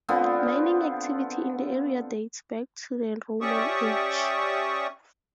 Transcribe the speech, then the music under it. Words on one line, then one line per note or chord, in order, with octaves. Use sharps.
Mining activity in the area dates back to the Roman age.
D3 B3 C4 F4
C#4 G4 D5 E5 C#6 D#6